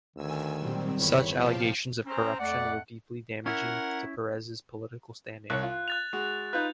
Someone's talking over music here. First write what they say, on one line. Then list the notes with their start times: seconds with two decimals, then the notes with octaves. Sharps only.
Such allegations of corruption were deeply damaging to Perez's political standing.
0.16 D2 D#3 G#5 E6
0.60 A#2 F#3 G3 C4
0.96 G1 E2 C#5 B5
1.36 C3 F3 F5 G5 A5
2.06 C4 C#4 C5 A#5
2.39 F2 A3 D5 F#5
3.46 C#4 E4 A#4 F#5
5.50 C2 C#5 F#6
5.63 F4
5.88 F#6 A6 F7
6.13 G#3 F#4
6.53 D#4 F4 B4 F#6 G6